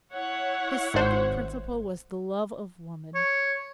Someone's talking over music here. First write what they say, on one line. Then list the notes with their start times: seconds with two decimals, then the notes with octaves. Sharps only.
His second principle was the love of woman.
0.11 E4 C#5 F#5
0.94 G#1 C5
3.15 C#5